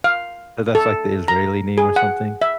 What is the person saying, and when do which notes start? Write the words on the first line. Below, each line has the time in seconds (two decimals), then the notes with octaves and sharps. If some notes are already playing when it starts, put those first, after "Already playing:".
but, that's, like, the Israeli name or something?
0.04 F5
0.75 A4
1.28 A#5
1.78 G#4
1.96 F#5
2.42 E5